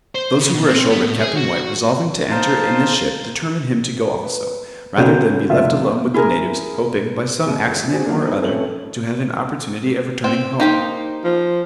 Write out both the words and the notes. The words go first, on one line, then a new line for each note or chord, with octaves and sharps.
Those who were ashore with Captain White, resolving to enter in this ship, determined him to go also, rather than be left alone with the natives, hoping, by some accident or other, to have an opportunity of returning home.
C5
C#3
B2
C4
B3
A2
G#4
F#4
D#4 C5 F5 A5 A#5 C6
B4
B1 C#3 C#4 F#4 G6
F1 F4 E5
E4 G#4 A#4
F#1
G1
C4 D4 F#4 G#4
E3 F#3 A#3 D4
C4 D#4 A4 B4
F2 A3 C#4 F#7
C4
A#3 D#4 G4 C5
F3